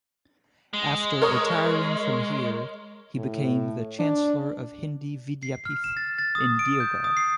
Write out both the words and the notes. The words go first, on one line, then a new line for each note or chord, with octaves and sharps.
After retiring from here he became the Chancellor of Hindi Vidyapeeth in Deoghar.
G#3
A#4 C#5 D#6
A2
D4
C7
F6
E7
A6
A6
D#6
D7
G6
D#6
C7